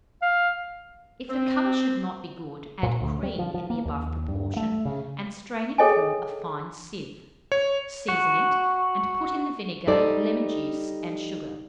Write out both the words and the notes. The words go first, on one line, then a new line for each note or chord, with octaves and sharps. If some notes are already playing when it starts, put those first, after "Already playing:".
If the colour should not be good, add cream in the above proportion, and strain it through a fine sieve; season it, and put in the vinegar, lemon-juice, and sugar.
F5
C4
A#2
D2
G3
F3
F3
A#3
D#2
G2
A3
C#3
G#4 A4 C#5 D#5 G5 G#5
C#5
F#4
G3 D#4 A4 C5 D5